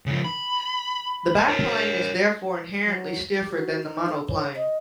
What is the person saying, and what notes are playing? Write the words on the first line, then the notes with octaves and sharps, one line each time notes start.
The biplane is therefore inherently stiffer than the monoplane.
C#3 F3
B5
A#4 C#5
F#3
G4
F#4
D#4
A4
C#5
D#5